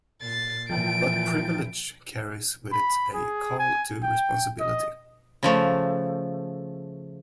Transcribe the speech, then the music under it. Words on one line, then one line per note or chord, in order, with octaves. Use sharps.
But privilege carries with it a call to responsibility.
A#2 A6 C7
A#2 E3 F3 G5 A5 D7
B5
G#4
G#5
G5
D#5
C#3 F3 A3